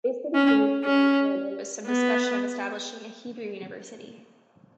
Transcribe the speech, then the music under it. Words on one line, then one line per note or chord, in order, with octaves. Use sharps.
They stayed in Jerusalem where there was some discussion of establishing a Hebrew University.
C#4
C#4
B3